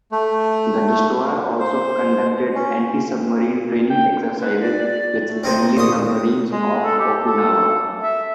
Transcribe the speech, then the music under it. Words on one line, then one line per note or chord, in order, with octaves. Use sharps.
The destroyer also conducted antisubmarine training exercises with friendly submarines off Okinawa.
A3
C5
C#4
G5
B4
D5
A3
C4 D#4 C5
A#1 C6 D#6
G#3
A4
G4
A4
E5